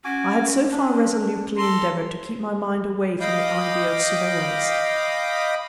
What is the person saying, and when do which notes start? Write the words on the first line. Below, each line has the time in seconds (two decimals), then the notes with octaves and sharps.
I had so far resolutely endeavoured to keep my mind away from the idea of surveillance.
0.05 C#4 F#4 G#5 D6
0.72 D4
1.57 A4 A#5 C6
3.21 D#5 F5 G5 B5 D6 D#6